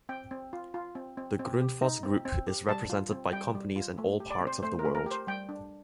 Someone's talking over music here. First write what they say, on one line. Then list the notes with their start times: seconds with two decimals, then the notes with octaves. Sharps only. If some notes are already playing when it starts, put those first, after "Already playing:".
The Grundfos Group is represented by companies in all parts of the world.
0.09 C4 G5
0.31 C4
0.53 F4
0.74 F4
0.95 C4
1.17 C4
1.39 C4
1.61 G4
1.82 D#4
2.03 C4
2.25 C4
2.47 G4
2.68 G3 A5
2.90 F4
3.11 C4
3.33 G3 G5
3.55 G3
3.76 F4
3.98 A3
4.20 G4
4.30 D5
4.41 C4
4.47 C5
4.63 A3 C5
4.79 A#4
4.85 A3
4.95 A#4
5.06 G4 C5
5.27 G3 G5
5.49 D4